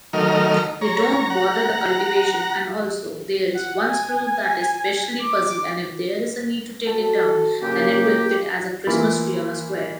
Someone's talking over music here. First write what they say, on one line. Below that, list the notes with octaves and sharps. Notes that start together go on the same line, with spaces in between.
They don't bother the cultivation and also, there is one spruce that is especially fuzzy and if there is a need to take it down, then it will fit as a Christmas tree on a square.
D#3 F#3 A3 A#4 D#5 F6
C#5 A#5
F#5 A#5
F#5
G#5
D6
F#3 A4 A5
F#2 A#2 C#3 A#3 G4 G#4
E3 A#3 E4 F4